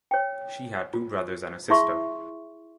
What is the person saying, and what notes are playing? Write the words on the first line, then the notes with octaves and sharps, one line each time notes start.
She had two brothers and a sister.
C#5 G5
F4
E4 G#4 E5 C6 C#6